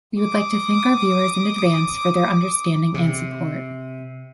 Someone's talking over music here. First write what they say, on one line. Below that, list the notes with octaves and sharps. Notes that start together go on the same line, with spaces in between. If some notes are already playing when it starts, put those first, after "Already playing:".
We would like to thank our viewers in advance for their understanding and support.
D6 D#6
C3